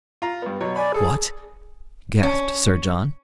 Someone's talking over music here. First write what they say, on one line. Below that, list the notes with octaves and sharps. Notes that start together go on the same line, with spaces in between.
"What!" gasped Sir John.
F4 A#5
G2 B3
B2 F#3 C#5
D5 G#5 B5
G#4 A4
C#4